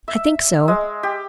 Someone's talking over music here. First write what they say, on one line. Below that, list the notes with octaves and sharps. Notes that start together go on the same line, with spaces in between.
"I think so."
E5
G#3
G4